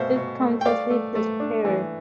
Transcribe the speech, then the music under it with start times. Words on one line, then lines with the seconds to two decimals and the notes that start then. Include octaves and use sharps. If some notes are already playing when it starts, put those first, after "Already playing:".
Its county seat is Perry.
Already playing: B2 A3 C5 E5 F5
0.16 B2
0.41 A3
0.61 G5
0.65 A3 D5 F5
0.90 A3
1.15 A3
1.40 D4
1.65 E3